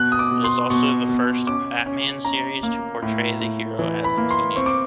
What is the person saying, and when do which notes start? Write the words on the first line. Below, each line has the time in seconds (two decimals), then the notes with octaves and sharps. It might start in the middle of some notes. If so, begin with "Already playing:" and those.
It is also the first "Batman" series to portray the hero as a teenager.
Already playing: B2 F#6
0.12 D#6
0.19 D6
0.31 B2
0.44 C6
0.70 B2 C#6
1.09 B2
1.47 C#4 D6
1.86 C#4
2.25 C#4 A#5
2.63 A#3
3.02 A2
3.40 A2
3.79 E3
4.04 B5
4.18 A#3
4.31 C6
4.56 C4 C#6
4.66 D6